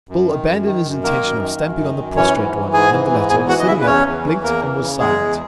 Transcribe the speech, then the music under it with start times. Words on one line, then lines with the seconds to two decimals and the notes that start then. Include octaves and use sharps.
Bill abandoned his intention of stamping on the prostrate one, and the latter, sitting up, blinked and was silent.
0.09 F#2
0.28 D#3
0.47 F#2
0.66 D#3
0.85 F#2
1.04 D#3 A#3 A#4
1.22 F#2
1.41 D#3
1.60 F#2
1.79 D#3
1.98 F#2
2.16 E3 C#4 C#5
2.36 G#2
2.55 E3
2.73 G#2 G#4 G#5
2.92 E3
3.11 G#2
3.30 E2 G#4 G#5
3.48 E3 F#4 F#5
3.59 D#5
3.67 C#3 E4 E5
3.81 B4
3.87 E2 C#4 C#5
4.05 E2
4.25 E3
4.43 E2 A#3 A#4
4.62 E3
4.81 C#3
5.00 E2 G#3 G#4
5.18 E2